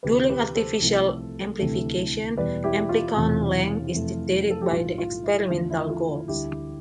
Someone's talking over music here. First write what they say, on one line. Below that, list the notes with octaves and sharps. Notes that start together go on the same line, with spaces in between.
During artificial amplification, amplicon length is dictated by the experimental goals.
D2 C3 E3 G4 B4
G4 B4
A4 C5
C2 C3 F3 A3
D2 C3 E3 A3
E2 B2 G3 B4 D5
E4 G4
F4
E1 E2 C3 E3
F2 C3 E3 A3
A4
G4
B1 A2 G3 F4
F4
E4
E2 D3 F3 A3 F4
E4
F4 A4
D2 D3 G3 E4 G4